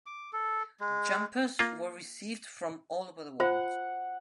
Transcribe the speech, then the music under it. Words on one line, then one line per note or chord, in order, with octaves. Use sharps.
Jumpers were received from all over the world.
D6
A4
G#3
A#3 F4
F4 C5 F#5 A#5